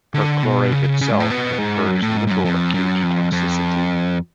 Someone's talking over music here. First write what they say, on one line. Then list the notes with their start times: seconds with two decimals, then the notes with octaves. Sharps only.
Perchlorate itself confers little acute toxicity.
0.14 D3
0.43 B2
0.72 C#3
1.01 C#3
1.11 G#2
1.20 A2
1.30 B2
1.58 G#2
1.88 F#2
2.02 A2
2.17 G#2
2.27 G#2
2.31 F#2
2.45 F2
2.74 F#2
3.03 F2
3.32 F2